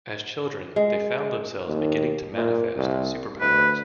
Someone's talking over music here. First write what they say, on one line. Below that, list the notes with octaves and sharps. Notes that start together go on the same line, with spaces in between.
As children, they found themselves beginning to manifest superpowers.
G#3
D#2
A#2
C2
D2 B4